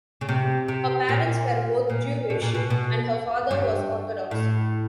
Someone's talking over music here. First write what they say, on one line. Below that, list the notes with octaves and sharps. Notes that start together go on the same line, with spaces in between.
Her parents were both Jewish, and her father was Orthodox.
C#3
C3
C3
A#2
A#2
B2
A#2
B2
B2
G2
A2